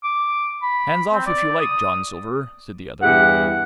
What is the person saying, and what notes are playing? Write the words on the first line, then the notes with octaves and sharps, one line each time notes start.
"Hands off, if you like, John Silver," said the other.
D6
B5
C4
D5
D#6
E2 G2 E4 G4 F#5